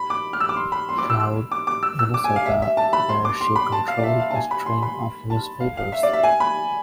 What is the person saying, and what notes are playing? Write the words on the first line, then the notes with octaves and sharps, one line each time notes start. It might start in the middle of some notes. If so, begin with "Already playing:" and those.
Cloud, Minnesota, where she controlled a string of newspapers.
Already playing: B5
D6
F6
E6
D6
C6
B5
C6
D6
E6
E6
D6
D6
E6
E6
D6
G#5
F5
E5
E5
A5
B5
C6
D6
C6
B5
A5
F5
D5
E5
F5
A5
G#5
B5
C6
B5
A5
F5
F5
E5
D5
E5
G#5
B5